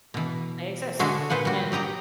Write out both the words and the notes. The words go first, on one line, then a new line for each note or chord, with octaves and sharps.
they exist, and
B2 E3
D3 G#3 D4 F#4 G#4 E5
A#2 B4 C5 F#5 G#5
G3 F#4
F#3 G4 D#5 A#5